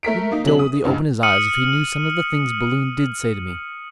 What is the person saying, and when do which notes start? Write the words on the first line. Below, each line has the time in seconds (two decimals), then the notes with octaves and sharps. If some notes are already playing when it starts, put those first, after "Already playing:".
Wouldn't Dilworthy open his eyes if he knew some of the things Balloon did say to me.
0.03 A3 A#4 B6 D7
0.31 A#3 D#4
0.44 C3 F#3 G#3 F#7
0.59 D#6
0.85 C#2 G2 D3
1.23 D#6 F6 C#7 D#7 F#7